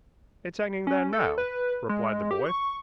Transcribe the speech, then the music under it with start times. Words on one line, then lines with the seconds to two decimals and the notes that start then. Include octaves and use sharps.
'It's hanging there now,' replied the boy.
0.87 C#4
1.13 A4
1.38 B4
1.89 G#3
2.31 G4
2.46 C#6